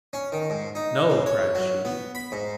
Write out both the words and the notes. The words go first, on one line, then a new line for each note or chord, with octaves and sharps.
"No!" cried she.
C#4
D#3
G#2
D#4
C#3
C#5
F#3
B3
B5
G#2